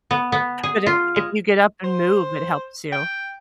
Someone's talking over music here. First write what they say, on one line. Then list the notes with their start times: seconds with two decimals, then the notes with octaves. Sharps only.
But if if you get up and move, it helps you.
0.11 B3
0.32 B3
0.63 G#4
0.86 F4
1.16 G#3
1.84 C5
2.92 G5